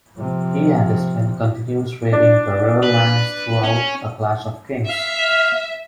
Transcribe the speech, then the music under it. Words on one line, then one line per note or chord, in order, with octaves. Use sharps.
He and his men continue raiding the Riverlands throughout "A Clash of Kings".
C3 F3
D4
B4
C#4
E5 F5 F6